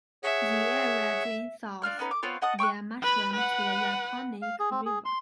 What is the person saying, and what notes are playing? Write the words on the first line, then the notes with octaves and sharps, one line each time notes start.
The area drains south via Marsh Run to the Rappahannock River.
G#4 C#5 E5 F#5
D4 F4 F6 F#6
B3 C#4 D#4 B4
D6
B3 C4 F4 C#5
D#5 F#5 A5 D#6
G5 C#6 E6 F#6
B4 B5
B4 F#5
F5
G#4
C4
G#4
C6